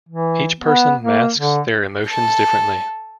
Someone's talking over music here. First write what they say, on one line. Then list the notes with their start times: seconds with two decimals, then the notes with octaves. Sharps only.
Each person masks their emotions differently.
0.09 E3
0.60 B3
1.04 A#3
1.37 D3
2.08 A4 A5